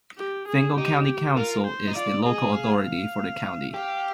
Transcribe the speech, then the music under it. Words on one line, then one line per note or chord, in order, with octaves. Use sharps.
Fingal County council is the local authority for the county.
G4
G#4
D#4 G4
F4 A#4
C5
D#4
F4 D5
G#4 D#5
F5
G4 F5